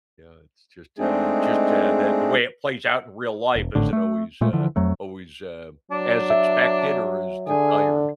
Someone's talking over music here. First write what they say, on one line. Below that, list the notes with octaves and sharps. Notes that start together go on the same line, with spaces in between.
Yeah, it's just, uh just, uh, the the way it plays out in real life isn't always, uh always, uh, as expected or as desired.
G#3 A3 C4 D4 D#4 G#4
E1
G#1 A2 D3
A3
A#2 G#3 A3
D3 E3 F3
F2 F#3 A3
F#3 D4
E5
D3 G#4